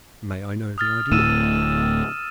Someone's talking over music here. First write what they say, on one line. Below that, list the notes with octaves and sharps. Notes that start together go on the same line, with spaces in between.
"May I know the idea?"
D#6 F6 A6
D1 A2 E6 D#7 E7